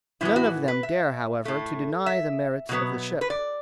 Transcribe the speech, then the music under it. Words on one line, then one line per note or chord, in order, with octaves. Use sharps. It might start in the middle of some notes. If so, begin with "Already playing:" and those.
None of them dare, however, to deny the merits of the ship.
A2 E3 B3 E4
F#4
B4
E5
A2 A3
E5
B2 F#3 B3
B4
D5